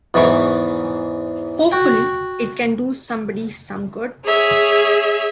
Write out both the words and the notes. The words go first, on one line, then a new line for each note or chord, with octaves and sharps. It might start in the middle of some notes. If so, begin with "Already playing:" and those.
Hopefully, it can do somebody some good.
E2 G#2 E3 C#6 D6
F#4 G5
G#4 C#5 E5